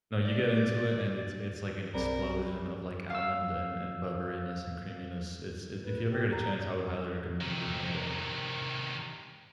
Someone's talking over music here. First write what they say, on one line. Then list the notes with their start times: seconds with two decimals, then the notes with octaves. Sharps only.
No, you get into it, and it's it's like an explosion of, like, almond and and butteriness and creaminess. It's it's if you ever get a chance, I would highly recommend it, no doubt.
0.25 D5
1.94 B1 G3 C4 G#4 A#4 D5
3.10 F5 E6
5.84 B4
6.10 G4
6.32 A#5
7.41 C3 D#3